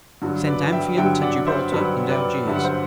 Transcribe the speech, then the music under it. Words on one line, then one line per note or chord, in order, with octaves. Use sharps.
Sent Amphion to Gibraltar and Algiers.
G2 D3 F#3
B4 D5
E5 G5
G2 D3 F#3 E5 G5
D5 F#5
C5 E5
G2 D3 F#3 B4 D5
B4 D5
G2 D3 F#3 E5
F#5
C5 E5